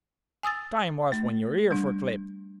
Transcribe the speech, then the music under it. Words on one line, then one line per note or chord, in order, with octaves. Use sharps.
Time was when your ears were clipped.
G#5 D#6 E6 A6
A3
G3 D4